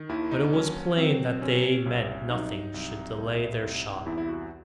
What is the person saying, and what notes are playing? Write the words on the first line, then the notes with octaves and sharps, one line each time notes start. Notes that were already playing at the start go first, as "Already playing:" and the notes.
But it was plain that they meant nothing should delay their shot.
Already playing: D#3
D#2 E4
D#4
F#3 C#4
F#3 C4
C3 C#4
C2 C#4
F#3 D#4
C2
C2
C2
E2 E4
E4
F#4